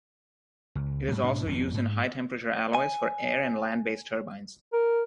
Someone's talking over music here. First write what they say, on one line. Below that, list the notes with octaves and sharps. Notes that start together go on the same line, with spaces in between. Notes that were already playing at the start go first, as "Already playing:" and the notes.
It is also used in high-temperature alloys for air- and land-based turbines.
C#2
G#2 G3
G#2 B2 D4
G#1 F2 G#2 B3
G#2
G#5
A#4